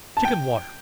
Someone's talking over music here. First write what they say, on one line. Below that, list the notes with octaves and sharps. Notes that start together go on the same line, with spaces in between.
Chicken Water.
A5
G5